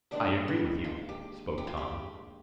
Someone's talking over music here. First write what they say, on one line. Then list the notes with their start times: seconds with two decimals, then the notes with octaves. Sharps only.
"I agree with you," spoke Tom.
0.11 D#2 D#3 G#3 D4 D5
0.48 B4
0.84 F4
1.09 G4
1.58 G4
1.67 F4
1.77 G4